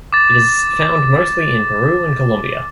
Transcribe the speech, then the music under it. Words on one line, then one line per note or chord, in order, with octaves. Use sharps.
It is found mostly in Peru and Colombia.
D6 A6